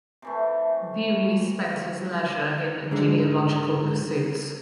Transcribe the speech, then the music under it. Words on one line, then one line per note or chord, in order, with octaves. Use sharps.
Bewley spent his leisure in genealogical pursuits.
C3 E3 A3
G#2 D3 G#3